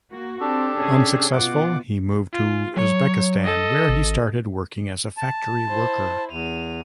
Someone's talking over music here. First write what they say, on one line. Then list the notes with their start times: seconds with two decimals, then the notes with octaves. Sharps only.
Unsuccessful, he moved to Uzbekistan, where he started working as a factory worker.
0.11 A#3 F#4
0.41 C4 D4 G4 A4
0.77 C3 C#4 G#4
1.32 B2 F4 F#5 D6
2.33 F4
2.77 F#3 C#5
3.44 A4 D#5
3.89 G#1
5.17 A5
5.68 E4 C5
6.31 E2 D#7 F7